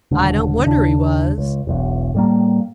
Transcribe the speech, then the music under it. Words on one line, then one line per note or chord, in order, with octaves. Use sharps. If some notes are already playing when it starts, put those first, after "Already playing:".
I don't wonder he was.
D#1 C#2 D3
D#2 C#3 D4
C#2
E1 B1 E2
A2 G3 A#3